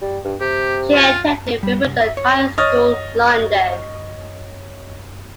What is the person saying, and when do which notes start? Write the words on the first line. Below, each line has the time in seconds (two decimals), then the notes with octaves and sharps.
She attended Wimbledon High School, London.
0.01 G3
0.24 G2
0.40 C3 G4
0.94 F4
1.63 G3
1.86 C2
2.01 E5
2.17 C#5
2.58 C#5 D#5 D#6 F6 A6